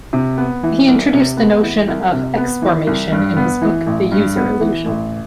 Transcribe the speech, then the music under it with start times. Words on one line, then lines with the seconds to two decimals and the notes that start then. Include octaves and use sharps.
He introduced the notion of exformation in his book The User Illusion.
0.13 C3
0.37 B3
0.63 E3
0.88 C2
1.13 C3
1.37 B3
1.62 E3
1.88 C2
2.13 C3
2.37 B3
2.62 E3
2.87 C2
3.12 G2
3.37 B3
3.61 E3
3.86 A1
4.12 G2
4.36 B3
4.61 E3
4.86 A1